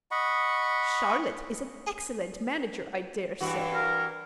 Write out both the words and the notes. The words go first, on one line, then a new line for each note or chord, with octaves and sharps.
Charlotte is an excellent manager, I dare say.
D#5 F#5 B5 C#6
G2 E3 F#4
A#4